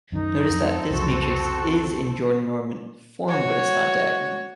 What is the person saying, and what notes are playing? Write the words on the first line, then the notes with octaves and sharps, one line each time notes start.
Notice that this matrix is in Jordan normal form but is not diagonal.
F#2 D#3 D#4
F2 C4 A4
C2 F2 C#3 F#4
F#4 C#5